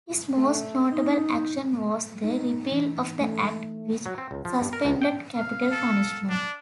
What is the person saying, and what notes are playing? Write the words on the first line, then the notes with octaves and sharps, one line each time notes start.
His most notable action was the repeal of the Act which suspended capital punishment.
A3
D#4
A3
D#4
E3
A3
F#3
C4
C#2
F3
G2
A#4
C#2
G5
F5
A4
D4